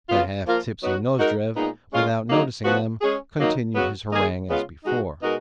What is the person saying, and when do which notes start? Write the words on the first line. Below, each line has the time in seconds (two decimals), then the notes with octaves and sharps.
The half-tipsy Nozdrev, without noticing them, continued his harangue as before.
0.09 C#3 F#3 B3 F4
0.45 F3 A#3 F4 A#4
0.82 F#3 B3 D#4 F#4
1.19 G#3 D#4 F#4 A#4
1.55 A#2 G#3 B3 D#4
1.92 G#3 C#4 F4 A#4
2.29 C#3 F#3 A#3 D#4
2.65 F3 B3 F#4
3.01 G#3 C#4 G#4
3.39 D#3 F#3 A#3 D#4
3.75 C#3 F#3 B3 F#4
4.12 D#3 A#3 D#4 G#4
4.49 C#3 G#3 B3 F4
4.85 B2 G#3 D#4 F#4
5.22 B2 G#3 D#4 F#4 A#4